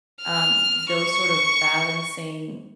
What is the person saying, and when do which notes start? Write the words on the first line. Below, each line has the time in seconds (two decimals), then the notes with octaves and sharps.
um, those sort of balancing,
0.22 F6
0.90 C#6